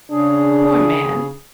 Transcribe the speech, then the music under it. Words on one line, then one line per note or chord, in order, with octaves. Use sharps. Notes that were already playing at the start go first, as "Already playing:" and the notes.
Poor man!
C#3 D4 G#4